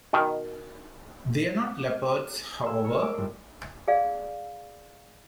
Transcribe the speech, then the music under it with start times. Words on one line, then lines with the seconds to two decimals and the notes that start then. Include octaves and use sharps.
They are not leopards, however.
0.13 B2 D#3
2.66 G#4 E6
2.84 A#4 C#5
2.98 E6 D7
3.14 G1 C7
3.88 G#4 D5 F5